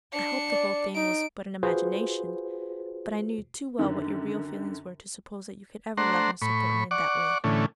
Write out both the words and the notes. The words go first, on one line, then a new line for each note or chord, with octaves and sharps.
I hoped the whole thing was but an imagination; but I knew too well what your real feelings were to suppose that you could ever like Mr. Thornton in that way.
D4 C#7
D5
D#4 D7
F4 F#4 G#4 B4 C5
F#2 D3 D#3
A3 D4 C5 F#5 A#5 C6
A2 B5 C#6
D5 F#5 C#6 D6
A2 D3 E3 A3 C#4